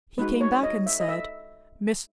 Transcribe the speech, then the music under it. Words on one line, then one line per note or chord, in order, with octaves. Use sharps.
He came back and said, 'Mr.
G#3 D#4 F#4 B4
C#5
D#5
E5
D#5
E5